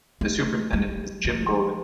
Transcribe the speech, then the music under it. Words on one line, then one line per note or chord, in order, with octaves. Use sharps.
The Superintendent is Jim Golden.
A3
G3
F3